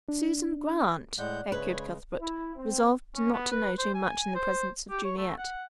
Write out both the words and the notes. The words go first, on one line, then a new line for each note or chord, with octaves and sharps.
"Susan Grant!" echoed Cuthbert, resolved not to know too much in the presence of Juliet.
D4
A2 G#3 D5 F#5 G6
C#3 G#3 B4 C#5
E4
C4
C#4
B3
B4
C5
G#5
C5
G4
C#5
A3
F#5